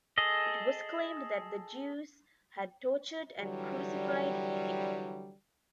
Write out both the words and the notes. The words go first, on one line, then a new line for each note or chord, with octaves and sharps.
It was claimed that the Jews had tortured and crucified him.
G#4 A4 D#5
D3 E3 F#3 G3